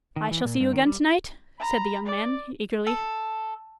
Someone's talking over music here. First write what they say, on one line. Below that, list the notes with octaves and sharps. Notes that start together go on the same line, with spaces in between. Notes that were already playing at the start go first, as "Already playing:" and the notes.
'I shall see you again to-night?' said the young man, eagerly.
D#3
E3
A#2
G2
D#3
G3
A#5 B5
D5
A4